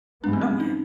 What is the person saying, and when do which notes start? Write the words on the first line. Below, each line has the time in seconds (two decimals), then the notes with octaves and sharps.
Oh, yeah.
0.24 G2 E3 G#3 B3 D4
0.33 C4
0.41 C#4
0.60 D#4